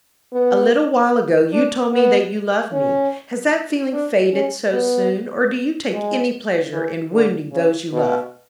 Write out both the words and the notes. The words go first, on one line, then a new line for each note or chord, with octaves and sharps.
"A little while ago you told me that you loved me: has that feeling faded so soon, or do you take any pleasure in wounding those you love?"
B3
D4
B3
C#4
D4
C#4
B3
G#3
E3
D3
C#3
B2